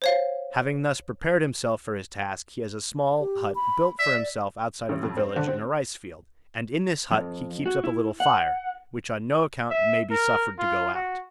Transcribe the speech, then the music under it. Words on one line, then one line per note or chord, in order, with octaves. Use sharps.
Having thus prepared himself for his task he has a small hut built for himself outside of the village in a rice-field, and in this hut he keeps up a little fire, which on no account may be suffered to go out.
C5 C#5 F5
G4
B5
D5 E5
A1
F2
C4
D3
C4
F2
F#4
E4
F#5
E5
A#4
F4
F#4